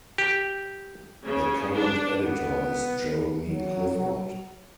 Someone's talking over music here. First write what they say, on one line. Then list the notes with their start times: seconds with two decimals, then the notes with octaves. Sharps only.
The current editor is Jeremy Clifford.
0.18 G4
1.24 C#3
1.75 D4
2.25 B3
3.44 F#3